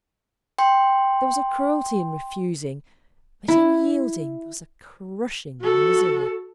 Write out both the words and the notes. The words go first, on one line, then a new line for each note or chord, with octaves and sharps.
There was a cruelty in refusing, but in yielding there was a crushing misery.
G5 C6
E4
F#4 A4